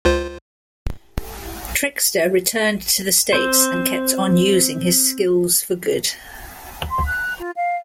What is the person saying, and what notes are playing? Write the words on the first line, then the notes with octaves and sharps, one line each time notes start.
Trickster returned to the States and kept on using his skills for good.
C#2 F4 C5
C4 C5
C6
F#6
F4
F5